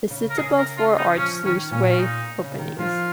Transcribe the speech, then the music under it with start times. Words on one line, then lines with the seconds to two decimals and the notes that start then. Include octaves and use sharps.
It sits above four arched sluiceway openings.
0.10 C#3
0.30 A#4
0.38 C#3 G#4
0.58 A#4
0.77 F4
0.98 D#4
1.18 F3 C#4
1.45 D#3 C#4
1.71 A#2 C#4
1.92 C#4
1.99 A#2 D#4
2.38 C#3
2.58 D#3
2.79 F3 F4